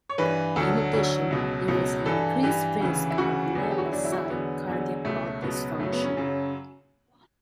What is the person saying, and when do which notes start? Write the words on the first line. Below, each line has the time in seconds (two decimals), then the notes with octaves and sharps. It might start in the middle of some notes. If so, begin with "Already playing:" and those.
In addition, there is an increased risk of left-sided cardiac valve dysfunction.
0.09 C#5
0.18 G2 E3 B4
0.56 D2 D3 F#3 A4
0.93 D2 D3 F#3
1.30 C#2 B2 F#3
1.68 C#2 B2 F#3
2.06 G2 E3 A4
2.43 G2 E3 G4
2.80 D2 C#3 E3
3.10 E4
3.18 D2 C#3 E3 F#4
3.55 E2 D3 F#3 B3
3.64 A4
3.71 G4
3.78 F#4
3.86 E4
3.92 E2 D3 F#3 D4
4.05 E4
4.12 F#4
4.17 E4
4.30 E2 D3 F#3 B3
4.68 E2 D3 F#3
5.05 C#2 B2 F#3 A3
5.42 C#2 B2 F#3 B3
5.80 F#2 C#3 F#3 A3
5.92 B3
6.04 C#4
6.17 F#2 C#3 F#3